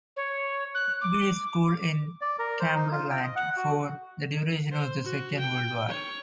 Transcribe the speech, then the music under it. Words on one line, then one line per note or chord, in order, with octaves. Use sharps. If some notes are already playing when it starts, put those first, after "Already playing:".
Bees School in Cumberland for the duration of the Second World War.
C#5
F#6
D6
D5
A#4
C5
D#4
F4
G5
D#5
F#5
F#4
C5
F#4
G5
C#5